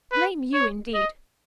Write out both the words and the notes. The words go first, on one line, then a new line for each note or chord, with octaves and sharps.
Blame you, indeed!
B4
C#5
D#5